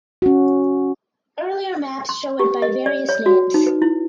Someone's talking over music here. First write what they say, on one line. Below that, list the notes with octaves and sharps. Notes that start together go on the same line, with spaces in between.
Earlier maps show it by various names.
C#4 F#4
C6
G4
D#5
D5
C#5
F#4
D#4
B4
E4